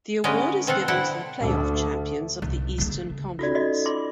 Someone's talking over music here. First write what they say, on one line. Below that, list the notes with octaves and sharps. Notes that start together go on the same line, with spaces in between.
The award is given to the playoff champions of the Eastern Conference.
D3 G#3 C#4 A#4 B4 D#5
B2 C4 F4 A4 F#5
D3 E4 F#5 G5
D2
C2
C#3 A3
C#4 D#4 F4 F#4 A4 D5
F#4 D5 D#5
F4 C6 D6